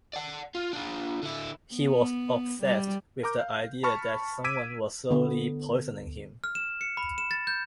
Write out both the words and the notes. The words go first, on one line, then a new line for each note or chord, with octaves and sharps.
He was obsessed with the idea that someone was slowly poisoning him.
D5 F#5
F4
D4 F4
D3 E4
B3
G3
A#4 A#5 D6 G6
F5
A5 B5 C#6 F6
D6 E6 G#6 B6 D7 D#7
D3 B3
F6
E7
C#7
B5
E7
A6
G6